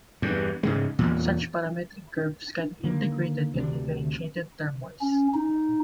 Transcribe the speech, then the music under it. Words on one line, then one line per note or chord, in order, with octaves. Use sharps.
Such parametric curves can then be integrated and differentiated termwise.
E2 G2
G#2 C#3 G#3
E2 A#2
D3 D#3 A#3
D2 C3 C4 D4
C#4
D#4